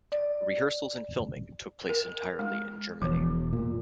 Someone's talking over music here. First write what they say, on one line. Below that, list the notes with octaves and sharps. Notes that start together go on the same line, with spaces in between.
Rehearsals and filming took place entirely in Germany.
D5
A#4
G#3
E1 E2 B2 F3
A#2